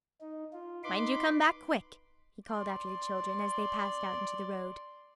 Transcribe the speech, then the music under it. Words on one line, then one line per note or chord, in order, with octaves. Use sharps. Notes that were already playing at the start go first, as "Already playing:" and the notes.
"Mind you come back quick!" he called after the children, as they passed out into the road.
D#4
F4
D#4 B4 B5 C6 D6
D5 C6